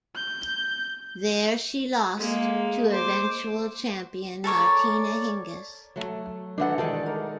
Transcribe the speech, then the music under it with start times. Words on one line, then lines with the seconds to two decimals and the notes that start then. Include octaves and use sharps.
There she lost to eventual champion Martina Hingis.
0.16 G6
2.17 G#3 A#3
2.91 C5 D6
4.44 A4 A#4 C#5 D5
5.96 F#3 A3
6.58 D#3 E3 D4 A4 F#5
6.78 D#3 G#3 A4 D5
7.06 A#4